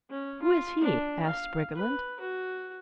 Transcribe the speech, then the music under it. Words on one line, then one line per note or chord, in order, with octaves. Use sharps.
"Who is he?" asked Briggerland.
C#4
F4
D4
F5
B4
F#4